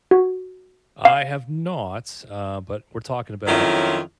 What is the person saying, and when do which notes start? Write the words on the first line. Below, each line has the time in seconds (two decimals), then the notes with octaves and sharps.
I have not, uh, but we're talking about
0.11 F#4
1.05 F5
3.47 F2 D#3 F#3 C#4 E4 F4